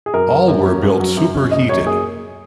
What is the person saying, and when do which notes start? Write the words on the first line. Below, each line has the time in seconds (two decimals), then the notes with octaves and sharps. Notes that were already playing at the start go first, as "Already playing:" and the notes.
All were built superheated.
0.06 G#4
0.13 F#2 A#4
0.31 F#3
0.48 F#2
0.66 C#4
0.83 F#2
1.00 F#3
1.17 F#2
1.34 C#4
1.51 F#1 D#5
1.69 F#2 C#5
1.87 A#3 G#4